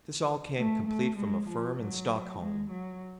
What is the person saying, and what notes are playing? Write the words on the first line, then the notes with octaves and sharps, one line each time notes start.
This all came complete from a firm in Stockholm.
A3
A3
G#3
F3
F#3
G#3
F#3